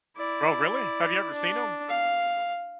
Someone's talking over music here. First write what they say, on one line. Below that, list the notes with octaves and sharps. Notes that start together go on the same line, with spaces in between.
Oh, really? Have you ever seen 'em?
E4 D5
D4
F5